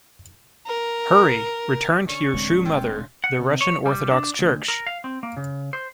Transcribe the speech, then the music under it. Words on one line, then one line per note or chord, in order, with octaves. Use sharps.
Hurry, return to your true mother, the Russian Orthodox Church!
A#4
D3 C#4 C#6
D1 G#3 C4
F4 G#4 A4 G5
F#5
C3
C#5
G3
D4
D2
A#4
F5
C4
A#3
C#3
C5